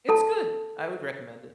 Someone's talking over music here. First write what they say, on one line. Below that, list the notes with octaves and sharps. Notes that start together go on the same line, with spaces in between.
It's good, I would recommend it.
A4 A5